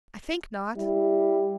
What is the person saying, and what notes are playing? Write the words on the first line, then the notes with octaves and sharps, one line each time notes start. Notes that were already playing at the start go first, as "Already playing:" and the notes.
"I think not."
G3 E4